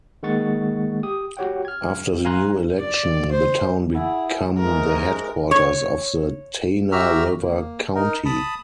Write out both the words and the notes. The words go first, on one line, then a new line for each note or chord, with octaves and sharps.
After the new election, the town become the headquarters of the Tana River County.
D#3 G#3 A#3 F#5 C#6 A6
G4 D#6
F#4 G4 C#5 F#5 G5
F6 G#6
F5 G#5 A#5 C6 F#6
D5
C5
E4 G#4 D5 F#5
G#2 A3 A#4
C#5
F#4 G4 E5 A#5 E6 F6
A#3
D#4 A#4
A5 B5 D#6